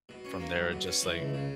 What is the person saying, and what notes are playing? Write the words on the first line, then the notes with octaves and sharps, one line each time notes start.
from there, it just, like
B2
C#4
A#3
B1
B2
C#4
E3
C#2
C#3